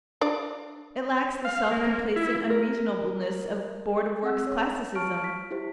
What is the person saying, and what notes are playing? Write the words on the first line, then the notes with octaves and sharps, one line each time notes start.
It lacks the self-complacent unreasonableness of Board of Works classicism.
D4 D5
F5
A#3
E4
A#4
C4 G#4 F#5 E6
C#5
A5 C#6 F6 D7
B6
E4 G4 C5